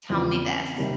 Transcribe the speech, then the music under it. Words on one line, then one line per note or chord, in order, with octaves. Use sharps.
tell me this."
E2 C#3 F3 C4
B3
C4
A#3
C3 D#3 G3 B3